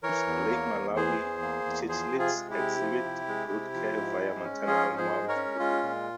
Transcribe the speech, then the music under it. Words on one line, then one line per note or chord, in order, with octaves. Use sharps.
Like most Lake Malawi cichlids, exhibit brood care via maternal mouthbrooding.
E3 A#4 C#5
E2
A#3
E2
E3 G#4 C5
E2
A#3
E2
F3 G#4 C5
C3
F4 G#4
G#3
E4 G4
C3
F3
C3
G#3
C3
F3
G#2
G#3
C#4
F3 F4 G#4
G#2
G#4 C5
G#3
A#4 C#5
C#4
G#3 F4
A#2